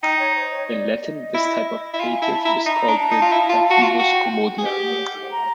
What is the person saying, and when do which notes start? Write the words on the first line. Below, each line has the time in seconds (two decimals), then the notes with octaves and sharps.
In Latin this type of dative is called the "dativus commodi".
0.02 D#4 G5
0.19 C#5
0.30 C#5
0.35 C5
0.52 C#5
0.68 D5
1.01 D#5
1.35 E4
1.94 E4
2.00 F4 G#5
2.22 E4 A5
2.40 B5
2.45 E4 A#5
2.66 D#4 A#5
2.88 D4
3.00 A5
3.11 D#4
3.22 F4
3.32 E4
3.50 F4
3.70 F#4
3.83 F4
3.90 F#5
3.99 F#4 G5
4.32 F#5
4.58 G#4
4.65 G4
5.31 A#5